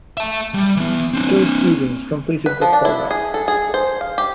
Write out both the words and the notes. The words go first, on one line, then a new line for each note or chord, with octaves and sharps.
Two students completed the program.
E5 A5
G3
E3 B3
C4 D4
B4
F3
D4
E4
G#4
A4
G#4
C5
F5
G4